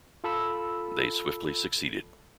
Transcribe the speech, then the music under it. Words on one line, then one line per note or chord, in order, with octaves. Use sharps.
They swiftly succeeded.
F4 A4 B5 E6